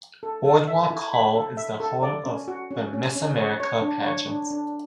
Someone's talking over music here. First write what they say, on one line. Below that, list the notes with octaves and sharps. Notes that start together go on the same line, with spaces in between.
Boardwalk Hall is the home of the Miss America Pageant.
A4
A4
E5
E4
B5
A4
E5
A4
D5
C#4
F#4
C#4
C#4
C#4
C#5
C#5
D4
C#5
D4
D4